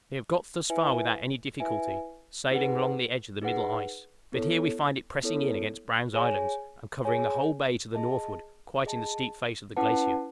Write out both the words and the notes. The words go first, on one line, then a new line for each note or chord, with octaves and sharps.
We have got thus far without any difficulty, sailing along the edge of the middle ice; but here we find it pressing in against Browne's Islands, and covering the whole bay to the northward, quite in the steep face of the glacier.
E4 B4 E5 G#5
E4 B4 E5 G#5
D#4 G#4 B4 F#5
D#4 G#4 B4 F#5
B3 E4 A4 C#5
B3 E4 A4 C#5
G#4 C#5 G#5
G#4 C#5 G#5
G#4 D#5 A5
G#4 D#5 A5
C#4 E4 B4 F#5 A5